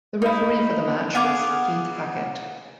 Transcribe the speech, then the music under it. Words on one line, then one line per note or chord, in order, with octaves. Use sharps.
The referee for the match was Keith Hackett.
D#4 E4
B3 G#4 F5 D6